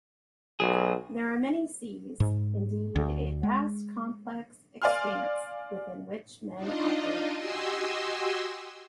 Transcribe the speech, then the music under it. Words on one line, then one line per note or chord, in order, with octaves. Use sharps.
There are many seas-indeed a "vast, complex expanse" within which men operate.
B1 F#3 G#4
G#2
D2
G#3
D5 F5 G#5 C6 F6
D4 D#4 F4 D#5
F#4 G4 D#5 G#5 C6 E6